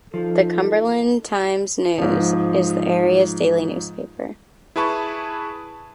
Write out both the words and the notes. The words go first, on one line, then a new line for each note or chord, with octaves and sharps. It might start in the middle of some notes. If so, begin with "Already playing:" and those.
The "Cumberland Times-News" is the area's daily newspaper.
F3 D#4 A4
G#2 F3
E4 G#4 B4 A5 C#6